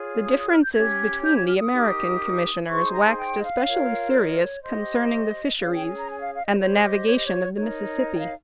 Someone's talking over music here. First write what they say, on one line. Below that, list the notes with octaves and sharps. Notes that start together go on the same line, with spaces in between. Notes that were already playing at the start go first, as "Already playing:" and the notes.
The differences between the American Commissioners waxed especially serious concerning the fisheries and the navigation of the Mississippi.
Already playing: F4 G#4 C#5
D#6
D#6
F6
G6
C#4 G4 C#5 G#6
G6
G#6
F6
D#6
D#4 G4 A#4
D#4 G#4 C5 C#6
A#5
G#5
G5
D#5
F5
F4 A#4 C#5
D#5
C#5
G4 C5 D#5
C#4 G#4 C#5 F5
G5
G#5
A#5
G#5
F5
F5
D#5
G4 C5 C#5
D#5
C#5
D#5
C#5
D#4 A#4 C#5
D#5
G5
F5